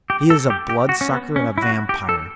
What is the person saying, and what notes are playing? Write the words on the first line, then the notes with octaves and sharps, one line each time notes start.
He is a bloodsucker and a vampire.
G4
A4
G4
G4
F#4
C#4
B3
C#4
E4
F#4
G4
A4